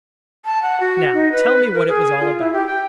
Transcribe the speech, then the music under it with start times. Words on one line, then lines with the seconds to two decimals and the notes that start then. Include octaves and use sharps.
"Now tell me what it was all about."
0.45 A5
0.62 F#5
0.80 F#4
1.13 D#4
1.32 B4
1.73 A#4
1.89 G#4
2.20 F4
2.40 E4
2.53 G4
2.67 G5